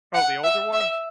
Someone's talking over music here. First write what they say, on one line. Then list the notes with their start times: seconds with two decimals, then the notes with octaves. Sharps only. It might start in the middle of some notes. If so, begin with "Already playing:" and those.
Oh, the older ones?
0.15 F#5
0.44 E5
0.73 E5